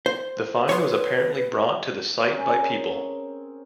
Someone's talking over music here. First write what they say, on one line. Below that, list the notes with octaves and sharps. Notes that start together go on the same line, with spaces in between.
The find was apparently brought to the site by people.
C5
B4 C#5 C6
C4 C#4 G#4 A#4